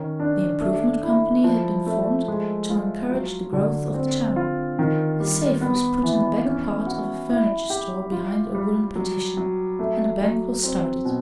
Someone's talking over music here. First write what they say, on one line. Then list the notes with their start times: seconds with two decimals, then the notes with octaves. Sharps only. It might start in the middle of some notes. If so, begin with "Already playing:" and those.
The improvement company had been formed to encourage the growth of the town. A safe was put in the back part of a furniture store behind a wooden partition and a bank was started.
Already playing: D#3 C#4
0.20 D4
0.61 A3
1.03 E4
1.44 F3
1.86 A3
2.28 G#3
2.70 F4
3.11 F#3
3.53 D3
3.94 C4
4.36 F4
4.79 D#3
5.20 G3
5.61 B3
6.03 E3
6.46 C#4
6.86 F#4
7.29 E4
7.70 G4
8.12 F4
8.55 G3
8.96 F#3
9.37 F#3
9.79 A3
10.21 F#3
10.63 C4
11.05 B2